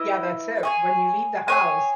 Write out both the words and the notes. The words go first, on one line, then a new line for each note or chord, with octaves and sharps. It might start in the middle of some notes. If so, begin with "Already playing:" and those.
Yeah, that's it. When you leave the house,
Already playing: E4 B4 D#5
G#4 C#5 G#5
G#4 C#5 G#5